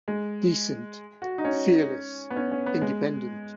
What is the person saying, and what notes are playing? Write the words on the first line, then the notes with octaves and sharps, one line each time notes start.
Decent, fearless, independent.
G#3
F#4
D#4
C#4
B3
C#4
C#4
B3
G#3